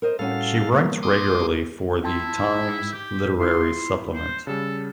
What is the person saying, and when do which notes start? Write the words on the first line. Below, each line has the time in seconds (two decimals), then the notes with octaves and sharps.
She writes regularly for the Times Literary Supplement.
0.02 A#4 C5 D#5
0.19 A2 G3 C#4 F#4 A4 F5
0.72 B2 G3 A#3
1.03 C6 D6 D#6
2.04 E4 G5 A5 C6
2.93 G4 G6
3.40 E4 F4 C6 B6
4.14 C5
4.47 C#3 G3 A4